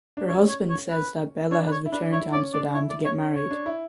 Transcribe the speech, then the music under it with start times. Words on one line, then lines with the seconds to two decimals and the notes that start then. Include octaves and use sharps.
Her husband says that Bella has returned to Amsterdam to get married.
0.17 D4
0.28 C#4 C#5
0.49 C#5
0.69 C#5
0.90 B4
1.51 D4 C#5
1.67 B4
1.72 C#5
1.86 E4
1.92 D4 B4
2.12 E4 C#5
2.33 C#4 D5
2.53 D4 D5
2.74 E4 C#5
2.90 D5
3.05 C#4 C#5
3.36 C#4 C#5
3.51 D4
3.66 E4